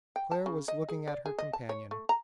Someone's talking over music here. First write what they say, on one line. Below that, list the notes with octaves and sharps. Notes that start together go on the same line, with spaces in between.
Claire was looking at her companion.
G5
A5
C#3
D#5
G#4
D5
G#4
D#5
A5
C#5
A3
A#5